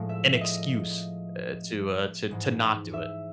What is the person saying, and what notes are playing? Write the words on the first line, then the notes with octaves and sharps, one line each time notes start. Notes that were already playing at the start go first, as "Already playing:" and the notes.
an excuse, uh, to, uh, to to not do it.
Already playing: A2 F3 G#3
E5
D#5
G#2 E3 G#3
E5